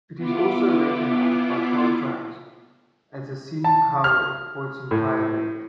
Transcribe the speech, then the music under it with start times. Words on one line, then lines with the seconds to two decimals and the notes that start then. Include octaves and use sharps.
It is also recognized by Caltrans as a scenic highway for its entire length.
0.17 B3 E4 F4 D6
3.64 A5
4.04 F6
4.91 A2